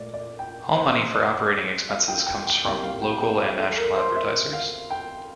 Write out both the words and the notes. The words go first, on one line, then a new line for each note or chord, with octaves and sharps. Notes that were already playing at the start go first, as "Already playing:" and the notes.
All money for operating expenses comes from local and national advertisers.
Already playing: A#2 A3 D5
D5
G5
C5
D5
F5
G5
G5
G5
C2 C3 G3 A#3 G5
F5
G5
G5
F5
A4
A#4
C5
E5
F5
G5